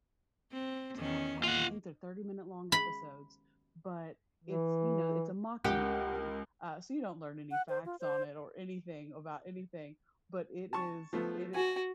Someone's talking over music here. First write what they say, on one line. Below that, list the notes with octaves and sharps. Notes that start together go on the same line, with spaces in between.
oh gosh, I think they're thirty-minute-long episodes, but it's, you know, it's a mockumentary, uh, so you don't learn any facts on it or anything about anything, But it is it i
C4
E2 D#3 C#4
A#3 F4 F#5
B5
E3
C#2 G4 A#4 F#5
F#5
C5
F4
C5
A5 C#6
F3 A3 B3
F#4 G#5